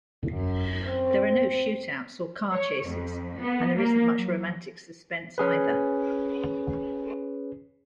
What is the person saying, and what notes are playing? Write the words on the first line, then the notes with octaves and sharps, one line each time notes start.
There are no shoot-outs or car chases, and there isn't much romantic suspense, either.
F#2
C4
C#5
F2
B3
A#3
F#3
C#4 G#4 B4